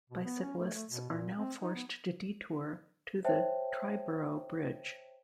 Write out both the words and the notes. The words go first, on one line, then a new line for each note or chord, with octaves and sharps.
Bicyclists are now forced to detour to the Triborough Bridge.
B2
B3
C#4
A3
A3
B2
A#2
C4
D#4
B3
C5 C#5 E5 G5 A5